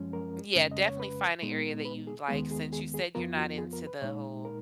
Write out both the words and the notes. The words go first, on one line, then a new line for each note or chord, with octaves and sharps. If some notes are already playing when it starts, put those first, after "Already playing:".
Yeah, definitely find a area that you'd like since you said you're not into the whole,
Already playing: F#2 F3 G#3 C#4
A#4
F2 C#3 G#3 C#4
D#5
C#5
B4
A#2 G#3 B3 D#4
B4
G#4
D#2 D#3 G#3 B3 G#4
G#4
G#4
G#4
F2 F3 B3 F4 A#4
F#4
G#4
A#4
B4
A#2 G#3 D#4 C#5
A#4